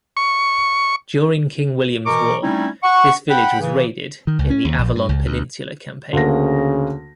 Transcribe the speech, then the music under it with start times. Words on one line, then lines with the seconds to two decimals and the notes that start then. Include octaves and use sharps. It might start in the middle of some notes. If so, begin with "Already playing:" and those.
During King William's War, this village was raided in the Avalon Peninsula Campaign.
0.17 C#6
2.06 B2 E3 A#4 A#5 C#6 D6
2.43 G3 A3 C4 C#4 D#4 E4
2.84 F#5 C#6
3.29 F#5 G5 B5
3.60 C#3 E3
4.27 D#3
4.39 C#2
4.50 C#4
4.65 D#2
4.79 A#1
4.95 G2
5.09 C#2
5.26 D2
6.13 D2 C#3 A#3 A#6